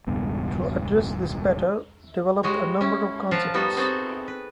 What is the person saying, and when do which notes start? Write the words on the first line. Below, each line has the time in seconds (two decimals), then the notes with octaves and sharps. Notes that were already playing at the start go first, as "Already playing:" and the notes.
To address this Petter, developed a number of concepts.
0.07 E1 C#2 G2 B3
2.43 G3 G#3 F#4 C#5
2.81 C#4 E4
3.31 F3 A#4 F5 F#5 A5
3.54 G3 B3 D#4 F#4 A4
3.77 B3 C4 F#4 G#4 A4
4.28 B4